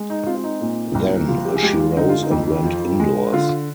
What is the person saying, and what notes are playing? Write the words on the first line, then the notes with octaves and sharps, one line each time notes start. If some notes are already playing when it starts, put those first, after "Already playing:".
Then she rose and went indoors.
Already playing: G#3
D#4
C4 F4
F4
D#4
A#2
C2
F3 F4
G4
G#4
G#3 G4
F4
D3 D#4
F4
D#4
F2
F3
G#3
D3 F4